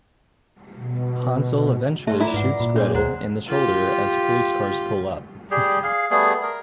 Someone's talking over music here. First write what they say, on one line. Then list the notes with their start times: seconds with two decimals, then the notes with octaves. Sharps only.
Hansel eventually shoots Gretel in the shoulder as police cars pull up.
0.76 B2
2.07 F#3 A3 C#4 C5 E5 A5
2.20 E4 F4 A#4 D5 A#5 D6
2.34 G#2 B4 F#5
2.60 A#2 B5
2.76 G#3 A#3 C#4 G#4 C#5
2.95 D#2 G#3 C5 F#5 A#5
3.49 F4 G4
5.51 G3 G4 G#4
5.83 G#4 F5
6.11 G3 A3 B3 G#4
6.43 A#4